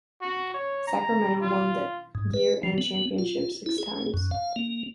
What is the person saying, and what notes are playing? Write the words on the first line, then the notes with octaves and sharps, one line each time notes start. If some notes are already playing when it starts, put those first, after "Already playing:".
Sacramento won the year-end Championship six times.
F#4
C#5
A#5
F4
G#2
B4
F3
B3
F4
E4
G#4
F#2
F5
A#3